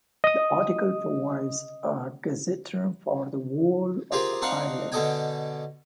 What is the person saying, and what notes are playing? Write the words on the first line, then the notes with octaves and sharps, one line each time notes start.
This article provides a gazetteer for the whole of Ireland.
D#5 D#6
C4 F4 G4 G#4 A#4 C5
C4 D4 D#4 D#5 F5 F#5
B2 D3 A4 D#5 G5 G#5